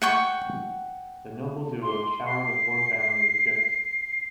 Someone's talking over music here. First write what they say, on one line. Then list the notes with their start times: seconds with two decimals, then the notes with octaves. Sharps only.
The noble duo shower the poor family with gifts.
0.02 F#5 G5 C#6
1.82 C6
2.27 C7